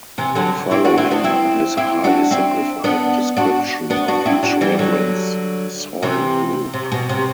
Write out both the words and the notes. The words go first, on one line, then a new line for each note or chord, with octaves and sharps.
Following is a highly simplified description of each reference soil group.
C3 E3
D3 F#3
C4 E4
D4 F#4
C4 E4
B3 D4
C4 E4
C4 E4
D4 F#4
C4 E4
B3 D4
D4 F#4
B3 D4
D4 F#4
C4 E4
D4 F#4
E3 G3
D3 F#3
C3 E3
C3
B2
C3